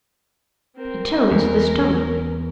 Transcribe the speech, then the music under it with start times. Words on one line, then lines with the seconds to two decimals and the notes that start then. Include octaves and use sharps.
It tones the stomach.
0.77 C4 A#4
1.32 E2 A#4